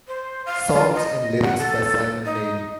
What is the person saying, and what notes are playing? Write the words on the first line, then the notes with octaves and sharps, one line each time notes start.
Songs and lyrics by Simon Neil.
C5
F5
F4
D#5
F#5
A4
D#4